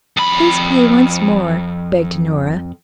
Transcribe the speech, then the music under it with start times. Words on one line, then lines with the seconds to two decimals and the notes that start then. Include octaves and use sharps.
"Please play once more," begged Nora.
0.17 F2 B5